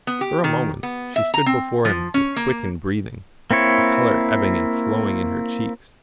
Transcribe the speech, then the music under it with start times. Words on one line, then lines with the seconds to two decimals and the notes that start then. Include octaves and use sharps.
For a moment she stood before him with quickened breathing, the colour ebbing and flowing in her cheeks.
0.07 B3
0.21 G4
0.44 D#3
0.83 B3
1.16 E5
1.34 A#5
1.46 C4
1.85 F3
2.14 C#4
2.36 A#3
3.51 A#3 C4 E4 C#5